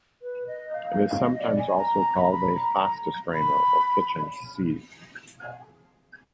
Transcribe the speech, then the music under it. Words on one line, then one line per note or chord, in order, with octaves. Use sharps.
It is sometimes also called a pasta strainer or kitchen sieve.
B4
D#5
F5
F5
D#5
D5
G#5
A#5
B5
A#5
B5
A#5
B5